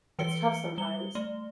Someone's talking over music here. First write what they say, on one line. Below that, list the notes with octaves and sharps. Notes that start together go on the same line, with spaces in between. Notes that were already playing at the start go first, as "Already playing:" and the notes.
It's tough sometimes.
E3 B4 C#7 G7
G3 G7
A3